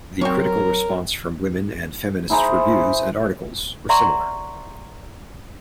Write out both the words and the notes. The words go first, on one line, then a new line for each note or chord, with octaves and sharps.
The critical response from women and feminist's reviews and articles were similar.
F#3 C4 A#4 C#5 C#6
E4 G#4 C5 A#5
D5 E5 F#5 A#5 C6 C#6